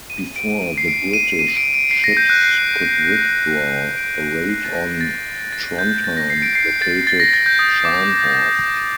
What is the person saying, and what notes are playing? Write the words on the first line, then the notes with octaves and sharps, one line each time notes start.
Before the British ships could withdraw, a raid on Trondheim located "Scharnhorst".
D#7
D7
D#7
C7
D7
D#7
D#7
D7
D7
C7
A#6
G6
F#6
C7
D7
C7
A6
A#6
A6
A6
G6
A6
A#6
C7
D7
C7
A6
A6
A#6
A6
G6
D#6
D6